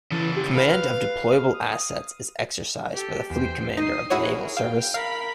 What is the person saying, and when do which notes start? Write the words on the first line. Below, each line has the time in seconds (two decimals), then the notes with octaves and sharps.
Command of deployable assets is exercised by the Fleet Commander of the Naval Service.
0.12 C#3 E3 A4
0.36 G4
0.55 B4 F5
1.53 D#6
2.94 G4 A4
3.30 E2 C5 G5
3.77 D#4 D#6 C7
4.10 E4 F#4 G#4 A#4 C#5
4.57 F5 G5
4.94 A#4 F5 B5